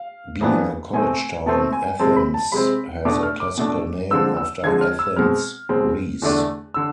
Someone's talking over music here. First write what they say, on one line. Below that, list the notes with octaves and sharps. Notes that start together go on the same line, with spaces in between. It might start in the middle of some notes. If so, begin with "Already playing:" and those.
Being a college town, Athens has a classical name, after Athens, Greece.
Already playing: F5
F2 E3 B3 D4
B2 A3 C4 G#5
B2 A3 C4 A5
G#5
C3 G#3 C4 A5
B5
A5
C3 G#3 C4 B5
B2 A3 D4 D6
F6
D6
B2 A3 D4
D3 F3 G#3 C4 E6
E6
D3 F3 G#3 C4 G#6
F6
E6
B2 G#3 C4 F6
B2 G#3 C4
E2 D3 A3 D4
D3 E6